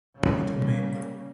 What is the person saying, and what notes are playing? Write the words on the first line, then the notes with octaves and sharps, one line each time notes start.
Peter Meienberg.
C#3 G3 A#3